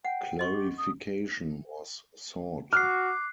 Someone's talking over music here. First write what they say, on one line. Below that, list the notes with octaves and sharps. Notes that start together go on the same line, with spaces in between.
Clarification was sought.
F#5 G5
F#4 D#5 C6 C#6
G4
D#6
F#4 D6 F6 F#6 C7